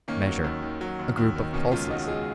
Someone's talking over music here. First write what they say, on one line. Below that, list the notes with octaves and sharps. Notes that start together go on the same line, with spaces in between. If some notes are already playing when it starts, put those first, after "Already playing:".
Measure: A group of pulses.
D#3 A#3 C#4
F#3
D#2
D#3
F#3
D#2
D#2
D#3
B2 A#3 C#4
C#2 C#4 F4
C#2 D#4 F#4
C#2 F4 G#4